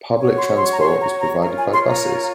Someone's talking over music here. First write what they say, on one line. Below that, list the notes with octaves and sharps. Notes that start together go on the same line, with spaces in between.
Public transport is provided by buses.
F#4 C#5
C6
C6
A#5
C6
A#5
A#5
F4 A#4 C#5 A#5
G#5
C6
A#5